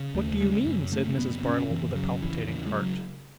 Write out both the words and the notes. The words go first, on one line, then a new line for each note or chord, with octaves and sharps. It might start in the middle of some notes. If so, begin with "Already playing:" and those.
'What do you mean?' said Mrs. Bardell, with a palpitating heart.
Already playing: C#3
D#2 A3
C#3 G#3
F#2
C#3 A3
F#2 B3
C#3 C#4
F#2 E3
C#3 F#3
E2 E3
C#3 E3
G#3
F#3